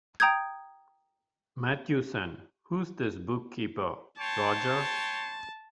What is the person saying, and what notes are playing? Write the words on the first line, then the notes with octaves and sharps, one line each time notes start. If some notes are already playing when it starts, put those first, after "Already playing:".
Matthewson, who's this bookkeeper, Rogers.
G5 A#5 D#6 G6 G#6
C#5 G5 A5 C6